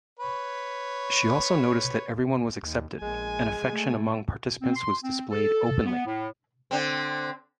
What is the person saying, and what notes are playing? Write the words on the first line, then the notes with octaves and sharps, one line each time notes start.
She also noticed that everyone was accepted, and affection among participants was displayed openly.
B4 C#5
D#2
A#1 G#3 G#5
A3
C4
C6
C4
A4
A4
B3
A2
D3 C4